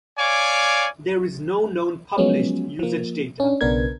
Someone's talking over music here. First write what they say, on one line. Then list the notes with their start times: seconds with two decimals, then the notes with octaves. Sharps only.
There is no known published usage data.
0.19 C#5 D5 F5 G#5 D6
2.18 F3 F#3 G#3 B3 C#4
2.79 F3 A#3
3.40 C#4 D4
3.61 B1 C#3 B3 D4 A#4 G#6